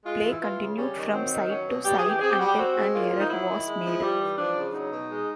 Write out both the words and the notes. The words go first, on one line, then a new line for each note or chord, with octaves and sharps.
Play continued from side to side until an error was made.
G#3 F4
E3
E4
E3 F4
C#3
G3 C#4
D#3
F#3 C4
D#3
F#3 C#4
B2
G3 G4
G#4
E3
G4
C4 G#4
G4
G3 F#4
G4
C4 F#4
G#3
A#3 F4
F3
D#4
F#3 E4
D#3
G#3
F3
G3
E3
F3 D4
C#3
F#3 D#4
B2
G#3